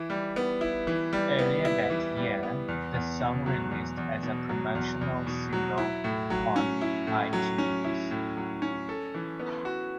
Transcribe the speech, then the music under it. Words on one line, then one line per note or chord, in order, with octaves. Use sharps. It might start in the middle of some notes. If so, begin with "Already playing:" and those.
Earlier that year, the song released as a promotional single on iTunes.
Already playing: E3 E4
G3
B3
E4
E3
G3
B3
E4
E3
G3
B3
E2
E2
B2
F#3
E2
E2
B2
F#3
E2
E2
B2
F#3
E4
A2
F#3
C#4
E4
A2
F#3
C#4
E4
A2
F#3
C#4
A4
E3
B3
F#4